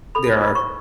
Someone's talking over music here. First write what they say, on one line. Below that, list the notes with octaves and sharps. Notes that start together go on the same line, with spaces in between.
there are
A4 B5
F4
C#6